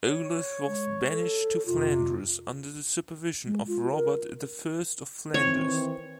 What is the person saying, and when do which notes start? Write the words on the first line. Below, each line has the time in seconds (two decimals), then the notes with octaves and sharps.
Olaf was banished to Flanders, under the supervision of Robert the First of Flanders.
0.07 C#5
0.67 G#3
1.10 A4
1.66 F2 C3 F4
3.46 G#3
3.67 F4
3.92 A#4
5.34 D#3 E3 C4 C#5